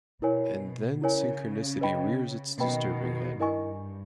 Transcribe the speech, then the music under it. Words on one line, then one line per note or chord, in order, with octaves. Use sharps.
And then synchronicity rears its disturbing head.
B2 E4 A#4 C#5 G#5
C#3 E4 A#4 C#5 G#5
B4 D#5 G5 B5
B2 D#3 B4 D#5 G5 B5
G2 E4 A#4 D#5 G#5 C#6